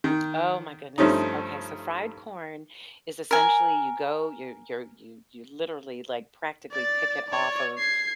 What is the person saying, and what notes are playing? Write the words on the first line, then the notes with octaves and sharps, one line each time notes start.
Oh, my goodness, okay, so fried corn is essentially, you go you're you're you you literally, like, practically pick it off of,
D#3
G2 F3 A3 C#4 D#4
A#4 G#5
D5 A6
C#5 D5
G#6 C7